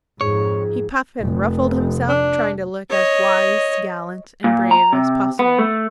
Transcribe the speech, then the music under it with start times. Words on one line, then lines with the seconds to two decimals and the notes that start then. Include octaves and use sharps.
He puffed and ruffled himself, trying to look as wise, gallant, and brave as possible.
0.21 F2 G#2 G#4 C#5
1.21 F1
2.09 D4
2.90 C#5 D#5
4.44 A#2
4.71 A#5
4.93 C3
5.39 B3
5.59 A3